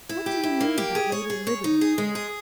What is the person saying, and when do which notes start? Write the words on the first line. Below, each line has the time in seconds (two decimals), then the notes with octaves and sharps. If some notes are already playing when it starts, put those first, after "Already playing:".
What do you need that later liberty for?
0.09 E4
0.26 G4
0.44 E4
0.61 A#3
0.78 G4
0.95 G#4
1.12 C#5
1.30 G#4
1.47 C#5
1.64 D#4
1.81 G#4
1.98 G#3
2.15 G#4